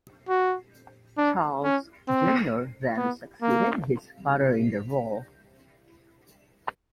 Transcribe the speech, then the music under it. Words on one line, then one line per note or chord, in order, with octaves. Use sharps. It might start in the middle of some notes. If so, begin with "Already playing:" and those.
Charles Junior then succeeded his father in the role.
F#4
D4
C#4
C4
B3
A#3